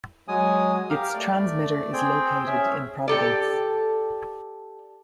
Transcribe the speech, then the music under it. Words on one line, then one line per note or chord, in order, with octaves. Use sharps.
Its transmitter is located in Providence.
F#3 G#3 G#5 D#6
G4 A#4 F5
A3 D5
C4 G#4 G5
C#4 G#4 E5
G4 A4 D5